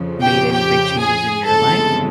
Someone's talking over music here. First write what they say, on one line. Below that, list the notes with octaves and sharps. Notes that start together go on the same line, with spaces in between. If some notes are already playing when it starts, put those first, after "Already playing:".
made any big changes in your life
Already playing: F2 C#3 F3
G4 G5
G4 G5
G#4 G#5
G1 F2 C#3 E3 G#3 A4 A5